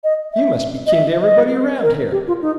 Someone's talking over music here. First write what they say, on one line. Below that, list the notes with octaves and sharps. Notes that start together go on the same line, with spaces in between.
"You must be kin to everybody around here?"
D#5
E5
D#5
E5
D#5
A#4
G4
F4
D#4